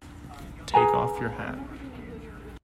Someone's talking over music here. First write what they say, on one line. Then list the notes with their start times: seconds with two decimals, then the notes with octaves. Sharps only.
Take off your hat.
0.74 G#4 B4 G#5 A#5